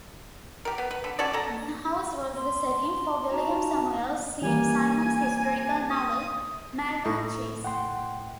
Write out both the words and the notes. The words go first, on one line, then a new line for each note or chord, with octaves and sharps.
The house was the setting for William Samuel Symonds' historical novel Malvern Chase.
G4 A#4
B3
B4
D3
C#4 F#4 A4 D5
A4 A#5
C6
D#4 F#4 A5 A#5
E3 G3 A#3 G#5
D#6
A2
F#5 G5 C6